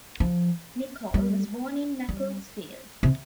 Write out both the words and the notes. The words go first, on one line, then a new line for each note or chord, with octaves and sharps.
Nicholl was born in Macclesfield.
F3
G3
G3
C3